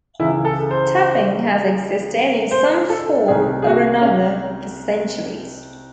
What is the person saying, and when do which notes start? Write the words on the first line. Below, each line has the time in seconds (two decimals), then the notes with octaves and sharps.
Tapping has existed in some form or another for centuries.
0.19 C#2 C#3 E3 E4
0.45 A4
0.71 C5
2.51 C5
2.89 A4
3.28 C2 C3 D#3 G#4
3.62 G#4
3.67 F#4
4.02 C#4